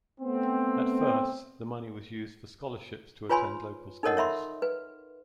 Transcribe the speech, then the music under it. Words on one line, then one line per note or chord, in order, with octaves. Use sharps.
At first the money was used for scholarships to attend local schools.
A3 B3 C4
F4 B4 C#5 G#5 B5 C6
D#4 A4 A#4 C#5 D#5 F#5
C#5 E5 B5 C6
B4